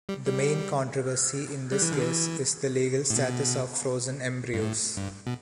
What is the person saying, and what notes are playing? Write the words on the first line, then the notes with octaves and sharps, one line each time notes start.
The main controversy in this case is the legal status of frozen embryos.
G3
G3
G3
E3
D3
E3
A2
B2
G2
A2
G2
B2